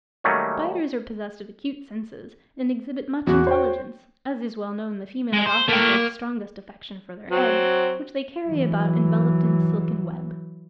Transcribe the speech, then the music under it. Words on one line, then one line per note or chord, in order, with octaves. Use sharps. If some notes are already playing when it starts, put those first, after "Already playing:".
Spiders are possessed of acute senses, and exhibit much intelligence; as is well known, the females often shew the strongest affection for their eggs, which they carry about enveloped in a silken web.
D#3 F#3 G3 A3 A#3 C#4
E2 F#4
C5 C#5 G5
G#3
C5
A3 A#3 G5
F#3 C4
E3 F#3